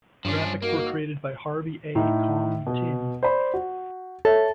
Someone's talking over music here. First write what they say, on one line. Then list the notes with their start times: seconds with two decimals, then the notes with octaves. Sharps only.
Graphics were created by Harvey A. Kong Tin.
0.25 G2 F3 C#4 D4
0.62 F3 A#3 D#4 F#4 A#4
1.95 A2 D#4
2.67 B2
3.23 C5 D5 B5
3.54 F#4
4.25 A4 C#5 E5